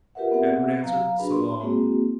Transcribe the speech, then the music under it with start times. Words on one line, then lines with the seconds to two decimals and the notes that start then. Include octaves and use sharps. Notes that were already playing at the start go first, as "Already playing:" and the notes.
Edward answered: "So long."
0.15 F4 G4 A#4 B4 E5 F#5
0.31 B3 C4 G#4 E5 F#5
0.83 F#3 F5 A#5
1.19 F#3 D4 F#4 G#4 B4 B5
1.31 B5 C6
1.61 G#3 A#3 C4 E4 F#4 G#4